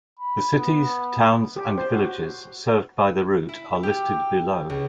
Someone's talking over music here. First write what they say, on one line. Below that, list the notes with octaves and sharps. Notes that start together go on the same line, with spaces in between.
The cities, towns and villages served by the route are listed below.
B5
B3
G4
C5
F#4
E4
G4
C#2